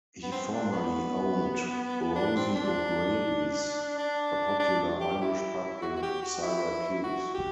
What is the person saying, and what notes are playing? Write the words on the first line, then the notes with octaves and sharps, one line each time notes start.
He formerly owned "Rosie O'Grady's", a popular Irish pub in Syracuse.
B3
C4
D4
B3
D4
C4
D4
D4
D4
G4
E4
F#4
F#4
G4
F#4
E4
F#4
G4